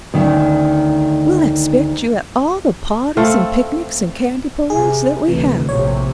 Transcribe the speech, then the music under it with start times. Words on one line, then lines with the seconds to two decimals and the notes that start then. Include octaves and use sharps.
We'll expect you at all the pahties and picnics and candy-pullin's that we have.
0.14 D2 D#3 C#4
3.17 A3 C4 F5
4.70 C3 G#4
5.28 D2 C3 E3
5.69 A#1 A2 C3 C#5